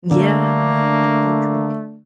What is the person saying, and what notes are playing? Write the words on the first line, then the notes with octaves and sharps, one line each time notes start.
Yeah, that's so true.
D3 A3 A#3 D4